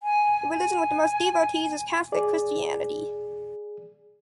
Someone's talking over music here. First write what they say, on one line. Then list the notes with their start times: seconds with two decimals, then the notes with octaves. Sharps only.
The religion with the most devotees is Catholic Christianity.
0.03 G#5
0.51 G#5
2.12 G#4 D5